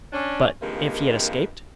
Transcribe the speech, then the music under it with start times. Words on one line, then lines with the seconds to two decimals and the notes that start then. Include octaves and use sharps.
"But if he had escaped?"
0.13 C#4 D4
0.62 G2 C3 D#3 F3 G#3 A#3